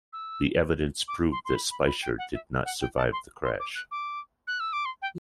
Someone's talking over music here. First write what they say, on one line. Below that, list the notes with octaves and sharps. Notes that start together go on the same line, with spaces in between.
The evidence proved that Speicher did not survive the crash.
E6
D6
C6
C6
B5
B5
B5
G5
F#5
E5
F#5
G5
A5
C6
C6
D6
F#6
D6
F#6
E6
D6
C6
G5